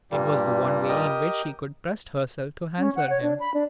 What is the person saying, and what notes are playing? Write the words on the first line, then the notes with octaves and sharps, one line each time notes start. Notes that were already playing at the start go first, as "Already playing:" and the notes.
It was the one way in which she could trust herself to answer him.
G2 A#2 G3
G4 A#4 D#5
C#4
F#5
C#5
D4
B5
D4